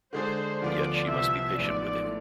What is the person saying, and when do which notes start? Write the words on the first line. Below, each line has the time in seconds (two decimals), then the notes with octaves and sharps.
Yet she must be patient with him.
0.13 D3 G#3 D4 G#4 C5
0.61 D2 D3 F3 B3 F4 D5
1.09 C2 C3 F3 B3 E5
1.57 A1 G#2 F3 B3 D5
2.05 A2